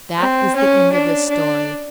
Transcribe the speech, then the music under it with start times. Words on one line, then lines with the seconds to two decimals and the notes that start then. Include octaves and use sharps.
That is the end of this story.
0.19 C4
0.56 C#4
0.93 D4
1.30 D4